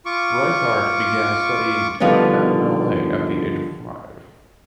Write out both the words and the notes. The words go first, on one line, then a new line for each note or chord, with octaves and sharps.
Richert began studying tap and ballet at the age of five.
F4 C#6 D6
D3 D#3 F3 G3 B3 D#4